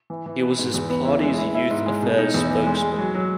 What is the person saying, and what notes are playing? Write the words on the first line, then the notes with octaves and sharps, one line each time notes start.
He was his party's youth affairs spokesman.
E3
E3
B3
G#2
E2
B3
E4
G#3
E4
E4
G#2
G#3
B2
D#4
E2
E3
G#3
G#3
F#3
F#3